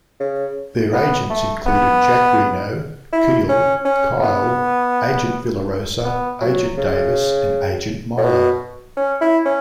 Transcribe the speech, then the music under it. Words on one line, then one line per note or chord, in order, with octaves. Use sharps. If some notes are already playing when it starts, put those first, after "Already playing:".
Their agents included Jack Reno, Keel, Kyle, Agent Villarosa, Agent Davis and Agent Milo.
C#3
B3
A3
B3
E4
C#4
C#4
B3
B3
F#3
C#3
A2
B2
C#4
E4
C#4